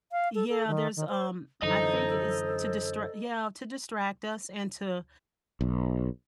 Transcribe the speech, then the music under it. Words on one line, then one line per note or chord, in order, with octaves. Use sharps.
Yeah, there's, um, I think it's to distra yeah, to distract us and to
F5
A4
A4
D#3
D#3
C5
F#2 D3 E3 A4 C5 D#5 A#5
B1